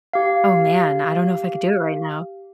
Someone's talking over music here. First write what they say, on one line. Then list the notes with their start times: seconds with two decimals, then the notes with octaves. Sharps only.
Oh, man, I don't know if I could do it right now.
0.13 G4 F5